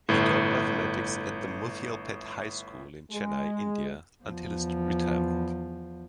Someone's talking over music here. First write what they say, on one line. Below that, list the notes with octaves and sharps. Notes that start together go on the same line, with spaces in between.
He taught mathematics at the Muthialpet High School in Chennai, India until his retirement.
G1 A2
G#3
E2 F3